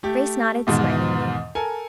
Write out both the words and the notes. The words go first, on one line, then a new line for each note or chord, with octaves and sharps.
Grace nodded smilingly.
A3 G4
E2 G#2 B2 D#3
A4 A#4 G#5